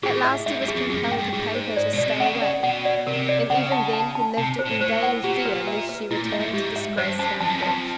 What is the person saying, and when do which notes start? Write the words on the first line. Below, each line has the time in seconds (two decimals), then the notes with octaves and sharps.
At last he was compelled to pay her to stay away, and even then he lived in daily fear lest she return to disgrace him afresh.
0.03 A2 G#4
0.24 E5
0.46 G#2 E5
0.61 F#2
0.68 G#4
0.75 F2
0.89 F#2 G#4
1.04 A2
1.12 G5
1.19 G2
1.33 G#2 G#4
1.55 C5
1.76 D5
1.93 B2
1.98 D5
2.06 C3
2.20 C#3 F#5
2.42 D5
2.63 B2 F#5
2.85 D5
3.07 C3 A#4
3.29 D5
3.50 C#3 F#5
3.72 A5
3.93 A5
4.15 A5
4.37 C3 A5
4.59 C5
4.66 A2
4.80 A2 C5
5.03 F#5
5.24 A#2 G4
5.46 B4
5.67 E5
5.89 B4
6.11 A#2 E4
6.25 A2
6.32 E5
6.40 G#2
6.53 G#2 G4
6.76 E5
6.97 G2 C5
7.19 F#2 A5
7.41 F2 A5
7.49 F#2
7.57 F2
7.63 A5